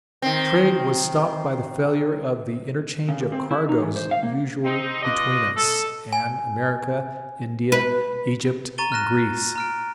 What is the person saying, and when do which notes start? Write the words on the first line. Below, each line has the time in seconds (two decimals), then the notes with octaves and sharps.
Trade was stopped by the failure of the interchange of cargoes usual between us, and America, India, Egypt and Greece.
0.22 D#3 C4
3.09 C#3
3.20 A#2
3.32 C4
3.51 E4
3.69 D#4
3.82 E3
3.96 C5
4.11 F5
4.23 A#3
4.65 C4 D#4
5.03 F4 B4 D5 D#5
5.56 A4
6.13 G#5
7.72 B4
8.78 A#5 C#6 A6 D#7 G7
8.92 F6 F#6 A#6 E7
9.56 A#5 F6 D7